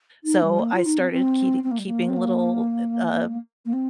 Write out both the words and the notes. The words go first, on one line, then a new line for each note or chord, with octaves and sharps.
so I started keeti keeping little, eh, uh,
D#4
G3
A#3
F4
D#4
C4
C4
C4
A#3
G3
A#3
C4
A#3
A#3
C4